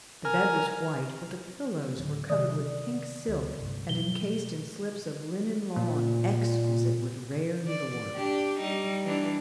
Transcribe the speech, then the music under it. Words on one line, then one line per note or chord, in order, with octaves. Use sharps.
The bed was white, but the pillows were covered with pink silk and encased in slips of linen lawn, exquisite with rare needlework.
A#4 G#5 F6
D1 D2
C3 D#3 D5 D#6
D2
G1 C2
B2 F#3 G7
A#2
D5
D4 G4
G3 D#4
E3 D4